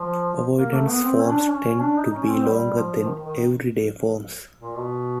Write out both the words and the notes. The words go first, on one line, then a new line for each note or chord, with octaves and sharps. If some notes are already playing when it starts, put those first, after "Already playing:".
Avoidance forms tend to be longer than everyday forms.
Already playing: F3
A#3
A3
B3
C4
C#4
D4
D4
C#4
D4
D#4
C#4
C4
G3
F3
D#3
D#3
A#2
B2